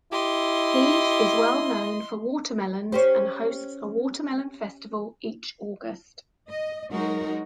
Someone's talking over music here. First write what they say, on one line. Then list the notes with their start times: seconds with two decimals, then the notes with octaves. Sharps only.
Heves is well known for watermelons and hosts a watermelon festival each August.
0.13 E4 G4 D#5 C6
2.92 C#4 G4 C5
6.48 D#5
6.90 F#3 G#3 D#4 F#4 A#4